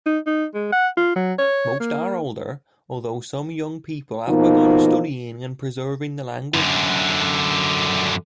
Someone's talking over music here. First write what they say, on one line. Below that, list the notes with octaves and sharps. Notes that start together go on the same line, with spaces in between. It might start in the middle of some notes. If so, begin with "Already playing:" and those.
Most are older, although some young people have begun studying and preserving the language.
D#4
D#4
G#3
F#5
F4
F#3
C#5
A#3
B2 F3 A#3 D#4
F#2 D3